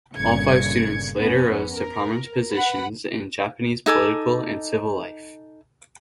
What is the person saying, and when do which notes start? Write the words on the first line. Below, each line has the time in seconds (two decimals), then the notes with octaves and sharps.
All five students later rose to prominent positions in Japanese political and civil life.
0.17 G1 A#2 C#3 G#6 C#7
1.17 F2 B3 C#4
1.74 A#4
2.51 B4 F#5 B5
3.86 D#4 A4 G#5 D6